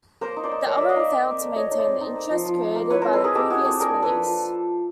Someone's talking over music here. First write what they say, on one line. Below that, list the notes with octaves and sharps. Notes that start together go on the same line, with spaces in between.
The album failed to maintain the interest created by the previous release.
A#3 A#4 C5
D#4
C5 D5
D#4
A#3 C#5 D#5
A#3 D5 E5
D#5 F5
D#4 D5 E5
D#4
C4
A3
A3 C#5 D#5
D#4
C5 D5
C4
D#4
A#3
F3
F3
D#4
A#3
E4 B4 C#5
C4 A#4 C5
A4 B4
G#3 G#4 A#4
G#3 G4 A4
E4 F#4 G#4
C4 G4 A4
D4 G#4 A#4
A#3
A4 B4
F3
F3